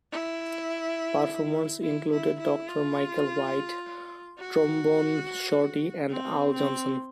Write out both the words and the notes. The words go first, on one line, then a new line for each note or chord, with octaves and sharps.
Performers included Doctor Michael White, Trombone Shorty and Al Johnson.
E4
E4
E4
E4
F4
F#4
C4
C4